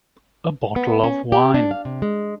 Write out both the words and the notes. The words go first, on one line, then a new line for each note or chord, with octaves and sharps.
A bottle of wine.
B3
C#4
G4
D4
F5
C3
G#3